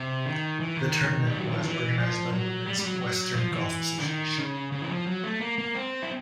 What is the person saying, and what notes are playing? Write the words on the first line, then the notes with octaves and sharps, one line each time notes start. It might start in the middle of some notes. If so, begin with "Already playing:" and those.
The tournament was organized by the Women's Western Golf Association.
Already playing: C3
D#3
E3
D#3
G3
F#3
F3
E3
F3
F#3
G3
G3
F#3
F#3
F3
E3
D3
D#3
C#3
C#3
E3
F3
F#3
A3
A#3
A#3
C4
E4